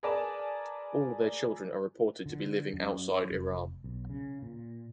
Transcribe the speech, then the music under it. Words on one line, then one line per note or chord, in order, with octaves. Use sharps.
All their children are reported to be living outside Iran.
G#4 A#4 B4 D5 G#5 A5
D3
F#2
F1
B1
C#3
A#2